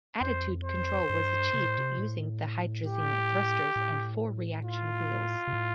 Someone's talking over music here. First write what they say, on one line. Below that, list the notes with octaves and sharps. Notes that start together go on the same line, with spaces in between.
Attitude control was achieved using the hydrazine thrusters and four reaction wheels.
F2 C5
C5
G2
C3
A2
C3
A2
G4
A2
F4
C3
A2